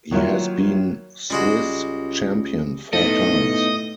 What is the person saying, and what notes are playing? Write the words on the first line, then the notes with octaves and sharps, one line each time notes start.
He has been Swiss champion four times.
D#3 F#3 A#3 E4 F4 C#5
C#2 G3 G#3 F#4
A2 B3 D#4 A4 D#5